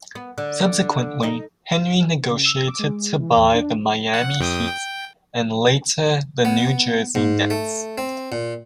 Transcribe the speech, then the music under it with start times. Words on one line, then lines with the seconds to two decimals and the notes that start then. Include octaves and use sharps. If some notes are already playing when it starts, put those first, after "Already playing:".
Subsequently, Henry negotiated to buy the Miami Heat and later the New Jersey Nets.
0.15 B3
0.38 D3
1.23 D#4
2.30 C#3
2.45 E6
2.68 D6
2.79 G#3
3.19 E3
3.36 E2
3.54 D4
4.14 F#5
4.40 F2 G5 D#6
4.68 G5
6.45 B3
7.15 G#2
7.50 A3
7.98 C4
8.32 A#2